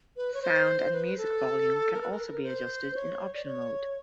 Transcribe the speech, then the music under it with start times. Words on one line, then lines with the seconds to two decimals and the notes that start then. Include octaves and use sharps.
Sound and Music volume can also be adjusted in Option Mode.
0.17 B4
0.34 C#5
0.42 C5
0.93 B4
1.18 A4
1.93 A#4
2.02 B4
2.11 A#4
2.44 C5
2.95 C#5
3.33 D5
3.45 C#5